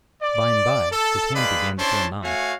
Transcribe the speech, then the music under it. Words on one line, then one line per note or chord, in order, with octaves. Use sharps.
By-and-by, his hand began to feel numb.
D5
A4
D#3 G#3 B4 D5 F5 B5
C#4 D4 E4 C5 A5 C6
A3 F#4 C#5 E5 F5 G#5